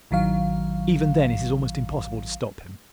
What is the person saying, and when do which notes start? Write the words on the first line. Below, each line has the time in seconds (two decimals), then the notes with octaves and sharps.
Even then it is almost impossible to stop him.
0.11 A1 D#3 F#3 F5